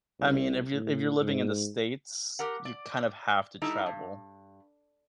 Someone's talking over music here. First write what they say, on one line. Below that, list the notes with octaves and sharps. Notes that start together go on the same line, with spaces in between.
I mean, if you're if you're living in the states, you kind of have to travel
C2
A2
G#2
G4 A#4 F#5
D5
G3 A3 D#4 E4
G2